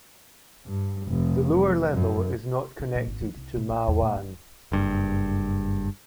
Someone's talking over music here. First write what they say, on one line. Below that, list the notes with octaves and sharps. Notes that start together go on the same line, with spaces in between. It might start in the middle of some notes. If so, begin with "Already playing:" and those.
The lower level is not connected to Ma Wan.
G2
F1
F#2
D4
A#2
G#1
E3
C2
B2
A#1
E2
A#2
D#3
F#1 G2